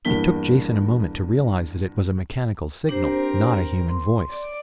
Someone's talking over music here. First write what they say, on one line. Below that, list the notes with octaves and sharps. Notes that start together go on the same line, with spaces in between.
It took Jason a moment to realize that it was a mechanical signal, not a human voice.
E2 G2 A#3 B6 G7
C4 D4 G4 A#4 C5
C6
D5 D6